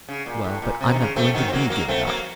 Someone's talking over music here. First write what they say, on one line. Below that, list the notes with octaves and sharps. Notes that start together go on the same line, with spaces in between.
"Well, but I'm not going to be given up."
C#3
A#2
A2
A#2
C3
D#3
C#3
A3 C4
D#3 F#3
C4
F#3 A#3
F#3 A#3
A3 C4
F#3 A#3